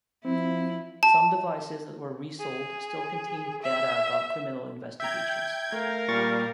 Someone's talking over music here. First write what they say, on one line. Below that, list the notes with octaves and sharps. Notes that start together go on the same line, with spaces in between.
Some devices that were resold still contained data about criminal investigations.
F3 C4 E4
A5
G#4
E5
E5 G5 A#5 G6 G#6
A3 A#4 F5
A#2 G3 C#6 A6